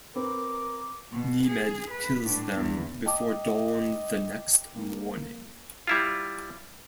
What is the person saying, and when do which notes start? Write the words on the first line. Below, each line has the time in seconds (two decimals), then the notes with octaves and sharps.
Nemed kills them before dawn the next morning.
0.16 C4 A#4 B4 D6
1.11 B2
1.46 G#4
1.91 B4
2.23 A2 D4
2.56 E2
3.06 D#5 G5 A5 D6
4.76 A#3
5.87 G3 E4 F4